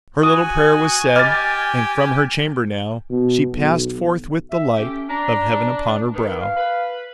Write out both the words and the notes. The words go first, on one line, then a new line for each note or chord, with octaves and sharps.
Her little prayer was said, And from her chamber now She passed forth with the light Of heaven upon her brow.
F#4 G#5 D#6
G4 D#5 B5 D6 F6 A6
B2
B1
E5
A3 C#4 G4
D4 A#5
D#3 B4
F5
B4